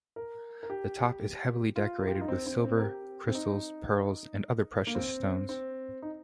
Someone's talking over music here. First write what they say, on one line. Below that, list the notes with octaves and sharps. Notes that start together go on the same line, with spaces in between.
The top is heavily decorated with silver, crystals, pearls and other precious stones.
A#4
A#4
G4
F4
A#4
G4
F4
D#4
C4
C4
C4
A#4
G4
C4
D#4
A#3
C4
C4
D#4